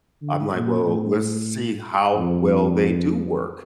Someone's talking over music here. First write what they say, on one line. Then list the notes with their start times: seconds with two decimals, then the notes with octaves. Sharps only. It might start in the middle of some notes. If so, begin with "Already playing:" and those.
I'm like, "Well, let's see how well they do work."
0.22 D3
0.54 A#2
0.87 A2
2.16 F2